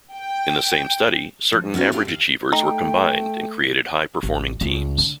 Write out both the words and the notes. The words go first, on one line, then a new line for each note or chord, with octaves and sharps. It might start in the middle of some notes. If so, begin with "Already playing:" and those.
In the same study, certain average achievers were combined and created high performing teams.
G5
F3
B3 C#4 D#4 F#4
B3 D4 E4 F4 G4 C5
D#2 F5
A3 D#4 G5
A1
C#2
D3